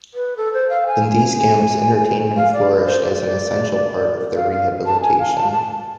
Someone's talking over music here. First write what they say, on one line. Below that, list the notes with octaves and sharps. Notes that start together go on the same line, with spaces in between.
In these camps entertainment flourished as an essential part of their rehabilitation.
B4
A4
C5
F5
G#5
F5
D5
C5
D5
F5
F5
A5
G#5
F5
A5
A5